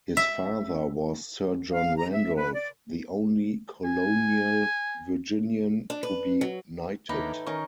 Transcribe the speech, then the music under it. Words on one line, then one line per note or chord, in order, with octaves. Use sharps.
His father was Sir John Randolph, the only colonial Virginian to be knighted.
E5
F5
A#5
E5
B4
D5
G#5
D4
B4
F#3
D#2 A2 E3 A#3 D4 D#4 B5
D#3 C#4 D#4 A#4 C#6